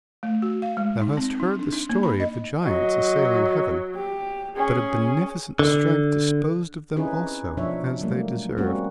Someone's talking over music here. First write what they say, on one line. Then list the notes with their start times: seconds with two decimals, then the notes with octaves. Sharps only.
'Thou hast heard the story of the giants assailing heaven; but a beneficent strength disposed of them also, as they deserved.
0.23 A3
0.42 F#4
0.62 F5
0.77 G#3
1.02 D#4
1.17 C4
1.40 D#4
1.59 D4
1.73 D#4
1.89 A#3
2.03 B5
2.20 D#5
2.64 F#3 D#5
3.95 G4
4.56 C#4 G#4
5.59 D3
6.96 C4 C#4 D#4 E4 G#4 B4
7.57 B2 F3 D4 D#4 C#5 E5
8.01 F#3 G3 A3 A#3
8.57 G3 G#3 A#3 C4 C#4 F#4